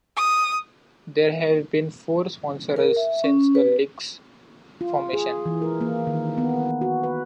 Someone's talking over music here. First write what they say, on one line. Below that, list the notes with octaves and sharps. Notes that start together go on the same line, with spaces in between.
There have been four sponsors since the league's formation.
D#6
A#4
E5
C#4
B4
F4
G#4
E3
A#4
A#3
D#3
B3
F#4
B4